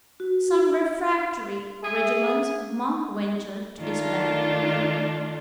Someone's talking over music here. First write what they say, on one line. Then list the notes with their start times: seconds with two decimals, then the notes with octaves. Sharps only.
Some refractory regiments Monk ventured to disband.
0.20 F#4
1.83 G#4 E5
3.80 D#3 A3 D4 F4